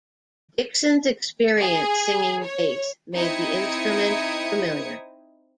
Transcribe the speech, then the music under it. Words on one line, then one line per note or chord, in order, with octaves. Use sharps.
Dixon's experience singing bass made the instrument familiar.
G#4
C#5
C4 D#4 E4 D#6 G#6 C#7